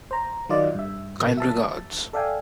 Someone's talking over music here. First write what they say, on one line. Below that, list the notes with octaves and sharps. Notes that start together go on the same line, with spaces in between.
Kind regards.
C5 A#5
D#3 F#3 F4 D5 D#5
G2 E5
A#2 C#3 A#3 B3
E5 A5
A4 D5 E5 F5 G5 G#5